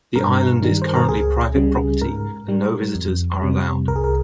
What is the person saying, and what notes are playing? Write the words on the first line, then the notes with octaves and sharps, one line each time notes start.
The island is currently private property and no visitors are allowed.
G2 A#4
D#3 G3
C5
A#4
C#2 G#4
C#3 G3
G#2 A#4
G3
F2
C3 G3
C2 A#4
G#4
A#4